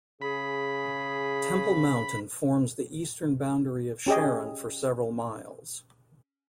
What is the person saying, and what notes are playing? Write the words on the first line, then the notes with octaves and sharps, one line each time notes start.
Temple Mountain forms the eastern boundary of Sharon for several miles.
C#3 G#4 B5
C#4 G4 G#4 D#5